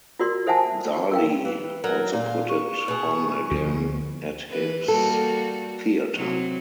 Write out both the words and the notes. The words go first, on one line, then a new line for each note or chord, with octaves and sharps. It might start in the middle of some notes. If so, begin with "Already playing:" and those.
Daly also put it on again at his theatre.
F4 F#4 A#4 D5 C6
A4 C5 E5 F#5 G#5 A5
A#4 F5 G5
E3
F#3 A#4
A#2 F5
C#6
B2 G#4
D2 F3
E3 B4
G3 A#3 F#4 A4
C3 F#3